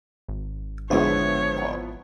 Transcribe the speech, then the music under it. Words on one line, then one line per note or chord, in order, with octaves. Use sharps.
um, uh,
G#1
D3 F3 G#3 B3 E4 C#5